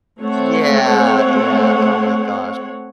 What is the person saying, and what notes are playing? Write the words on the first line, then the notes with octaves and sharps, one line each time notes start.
Yeah, yeah, oh my gosh.
A3 C4 C#5 F#5